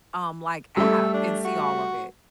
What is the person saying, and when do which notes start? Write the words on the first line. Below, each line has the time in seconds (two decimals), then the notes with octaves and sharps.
um, like, app and see all of it?
0.77 G3 A3 A4
1.14 D4
1.45 F#4